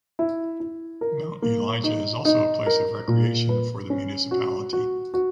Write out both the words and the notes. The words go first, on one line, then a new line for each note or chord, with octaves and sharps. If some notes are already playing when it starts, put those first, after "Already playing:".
Mount Elijah is also a place of recreation for the municipality.
E4
E4
A#4
A#3
D#4
D#4
A#4
A#2
B4
C#4
F#4
F#4
F#4